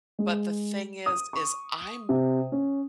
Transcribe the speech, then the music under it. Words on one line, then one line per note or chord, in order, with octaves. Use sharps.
but the thing is, is I'm
G#3
D#6
C#6
C3
C#4